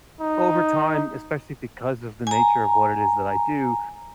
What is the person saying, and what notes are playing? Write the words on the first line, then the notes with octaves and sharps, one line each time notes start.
over time, especially because of the nature of what it is that I do,
D#4
G#5 A#5